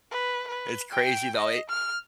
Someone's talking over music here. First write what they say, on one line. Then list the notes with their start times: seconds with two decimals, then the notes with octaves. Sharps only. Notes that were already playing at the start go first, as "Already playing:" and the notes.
It's crazy though, it
0.12 B4
0.48 B4
0.92 G5
1.36 D#5
1.70 F6